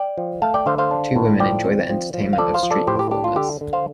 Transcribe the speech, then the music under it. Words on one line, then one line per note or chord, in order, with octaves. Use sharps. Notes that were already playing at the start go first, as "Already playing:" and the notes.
Two women enjoy the entertainment of street performers.
Already playing: D5 G5
F3
A3 F5 A5
D5 G5
D3 C5 F5
C5 F5
D4
A2
F3 D5 G5
C4
F3
F3
F5
F3 A4 D5
C5 F5
F3
A4 D5
A2 G4 C5
G4
D4 G4
F4
D3 G4
D3
C5 F5